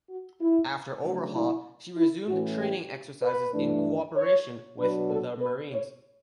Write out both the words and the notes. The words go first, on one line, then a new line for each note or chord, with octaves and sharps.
After overhaul, she resumed training exercises in cooperation with the Marines.
F#4
E4
C#3 F#3 A3 D4 F#4
E4
E4
A2 E3 A3 C#4 F#4
G4
B4
G2 E3 A3 D4
C#5
B2 F#3 B3 D4 B4
A4
B4
C#5